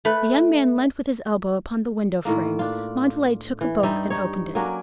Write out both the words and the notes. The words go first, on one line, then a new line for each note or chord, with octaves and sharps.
The young man leant with his elbow upon the window-frame; Montalais took a book and opened it.
A3 B4 B5
A2 D#3 A#3
D4 F4
E3
G2 G3 D#4 E5
D#4 C#5
F#3 A#3 C#4 D4